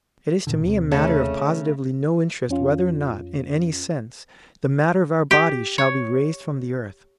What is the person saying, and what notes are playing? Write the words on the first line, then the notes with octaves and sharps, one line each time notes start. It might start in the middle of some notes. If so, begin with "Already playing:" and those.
It is to me a matter of positively no interest whether or not, in any sense, the matter of our bodies shall be raised from the earth.
G#1 A#2 D3
D#2 C3
C#3 A3 A4
F2 C#4 F4
G4
C#5